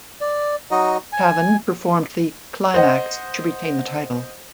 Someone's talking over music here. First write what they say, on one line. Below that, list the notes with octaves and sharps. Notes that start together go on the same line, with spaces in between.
Taven performed the "Climax" to retain the title.
D5
F#3 D#4 F#4 D#5
G#5
C5 D#5 F#5